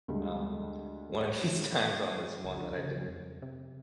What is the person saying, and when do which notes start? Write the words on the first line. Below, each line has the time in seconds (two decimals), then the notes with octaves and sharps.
Um, one of these times on this one that I didn't
0.08 D2 G3 G#3
2.45 C#2
2.60 D3
2.78 C#3
3.08 F2
3.42 C3